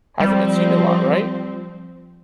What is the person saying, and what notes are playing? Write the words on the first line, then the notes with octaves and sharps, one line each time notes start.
hasn't been seen a lot, right?
F3 G3 C4